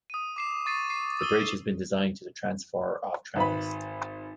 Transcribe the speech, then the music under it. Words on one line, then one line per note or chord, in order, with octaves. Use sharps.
The bridge has been designed to the transfer of trams.
D#6 D#7
D6 C7 E7
C#6 A6 C7 D#7
C7
D#6 E6 D#7 G7
G#1 B4 B5